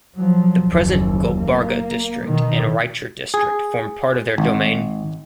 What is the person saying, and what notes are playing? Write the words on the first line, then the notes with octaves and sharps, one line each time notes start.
The present Gulbarga District and Raichur District formed part of their domain.
F3 F#3
F#1 D#2
A#3
B2 D#3
G#4
G#1